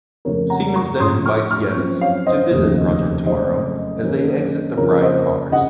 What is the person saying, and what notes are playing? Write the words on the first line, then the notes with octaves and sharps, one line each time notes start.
Siemens then invites guests to visit Project Tomorrow as they exit the ride cars.
F2 C#3 A3 A#4 C#5
F#5 A#5
A#5 C#6
A2 F3 A3 C#4 C6 D#6
C#6 F6
C#6 F6
F#2 F3 C4
C#5 F5
C5 D#5
F1 D#2 C#3 A3
F#1 F2 C#3 A3 C5 D#5
F#2 D#3 A#3 C#4
F2 C#3 F3 A#3 A#4 C#5
C5 D#5
C#3 D#5 F#5